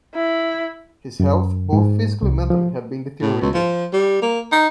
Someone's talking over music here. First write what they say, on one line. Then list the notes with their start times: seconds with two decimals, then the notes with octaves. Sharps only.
His health, both physically and mentally, had been deteriorating.
0.14 E4
1.20 F#2
1.73 G#2
2.22 C2
2.50 F3
3.21 A2
3.41 C#2
3.54 F3
3.93 G3
4.22 A#3
4.52 D#4